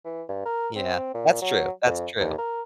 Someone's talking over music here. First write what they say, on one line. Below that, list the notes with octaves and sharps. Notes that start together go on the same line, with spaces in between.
Yeah, that's true, that's true.
E3
G2
A#4
C4
A#2
F#3
F2
D#2
A#4